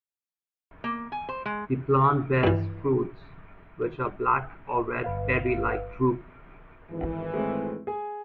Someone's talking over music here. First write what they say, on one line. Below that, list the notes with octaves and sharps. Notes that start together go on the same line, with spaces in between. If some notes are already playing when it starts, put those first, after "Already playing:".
The plant bears fruits which are black or red berry-like drupe.
A#3
G#5
C5
G#3
G2 E3
G1 B4 F5
G#1 E3
G#3 A3 C4
G#4 G#5